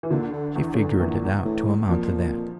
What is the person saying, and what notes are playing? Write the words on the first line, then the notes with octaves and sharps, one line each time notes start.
She figured it out to amount to that.
E3
D2 A#2 D3
D3
E2 E3
C#3
D3
E2 A#2 E3
A2
F2 A#2 F3